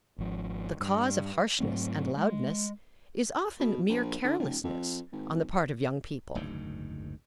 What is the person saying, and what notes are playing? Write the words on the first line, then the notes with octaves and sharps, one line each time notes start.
The cause of harshness and loudness is often mere carelessness on the part of young people.
G#1 F3
G2
G#2 F#3 A3 C4
G#3
B2
A#1
D3
D1
F2
G#1
F#1 D2 G#2 D#3